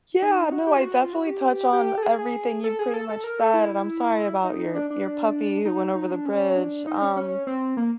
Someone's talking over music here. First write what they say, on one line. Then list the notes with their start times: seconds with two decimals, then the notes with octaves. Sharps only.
Yeah, no, I definitely touch on everything you've pretty much said, and I'm sorry about your your puppy who went over the bridge, um,
0.22 D#4
0.52 F#4
0.67 G4
0.77 F4
0.82 F#4
1.03 F4
1.13 F#4
1.27 G4
1.73 G4
1.98 A4
2.03 G#4
2.19 G#4
2.64 A4
2.79 G#4
2.94 A4
3.09 A4
3.24 A#4
3.39 A4
3.54 E4
4.44 D#4
4.74 D4
4.90 D4
5.65 D#4
5.95 D#4
6.11 D4
6.26 C#4
6.56 D4
6.87 D#4
7.02 C#4
7.16 C#4
7.47 C4
7.77 A#3